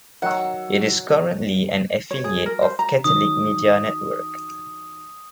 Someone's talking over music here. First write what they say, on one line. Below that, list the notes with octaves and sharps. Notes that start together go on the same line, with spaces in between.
It is currently an affiliate of Catholic Media Network.
D#3 F#3 F#4 F#5 E6
C#5
G#4
A#4
C5
A#5
D#3 F#3 D#6